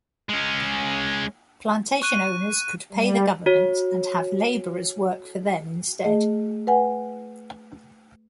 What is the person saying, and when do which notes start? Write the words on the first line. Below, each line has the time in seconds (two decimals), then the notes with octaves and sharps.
Plantation owners could pay the government and have laborers work for them instead.
0.29 G#3 C#4
2.02 C#6 F#6 D#7
2.92 G3
3.46 F#4 C#5
6.04 A3 G#4 D#5
6.67 B4 F#5 G#5